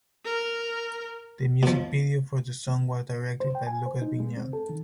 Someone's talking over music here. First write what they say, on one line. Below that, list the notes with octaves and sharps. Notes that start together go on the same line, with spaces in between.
The music video for the song was directed by Lucas Vignale.
A#4
B2 F3
C5
G5
G#5
C5
D#4
G#3
C4
A4
D#3